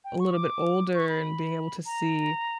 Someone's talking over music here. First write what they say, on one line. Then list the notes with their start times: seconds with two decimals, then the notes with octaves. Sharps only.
a little bit older, and being able to see
0.05 G5
0.20 C#6
0.34 D6
0.95 C#6
1.09 B5
1.85 A#5